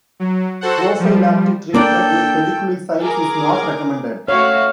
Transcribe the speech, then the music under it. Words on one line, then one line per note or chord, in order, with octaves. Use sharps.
Prophylactic treatment with pediculicides is not recommended.
F#3
F#4 A4 C5 F#5
F3 G3
A#3 D4 A4 D5 G5
G#4 A#4 D6
A3 F#4 C#5 E5 F5